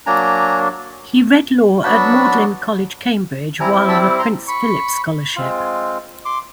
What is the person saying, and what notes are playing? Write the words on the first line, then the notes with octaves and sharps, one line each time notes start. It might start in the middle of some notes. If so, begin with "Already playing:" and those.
He read law at Magdalene College, Cambridge while on a Prince Philip Scholarship.
F#3 A#3 D4 G#5 A#5
F#3 B3 D4 F#4 A5 B5
G3 C4 E4 G#5 A#5
A5 B5
A#5 C6
B5 C#6
G#3 C4 F4
C6 D6